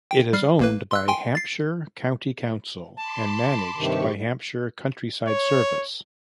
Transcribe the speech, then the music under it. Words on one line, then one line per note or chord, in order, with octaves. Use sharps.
It is owned by Hampshire County Council and managed by Hampshire Countryside Service.
G5
G3 F6 C7
A1 A#3 B4
C6 E6 F#6
G5 G#5 C6
A6 C7
A5 B5 C6 D6
G2 C3 D#3 G4 C#6
C#5